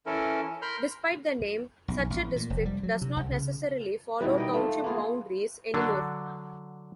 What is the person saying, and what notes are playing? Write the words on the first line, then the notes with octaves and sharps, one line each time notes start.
Despite the name, such a district does not necessarily follow township boundaries anymore.
E3 C#4 E4 A4 A#4
A#4 B5 C6 F6 G6
B1
A1
A#2
F1
G3
F#3
C3
C2
C#3
B2 D#3 E3 G3
A#4 D#5 G5
A3 F4 A4
A#3 B3 F4 G#4
D3 F#3 D4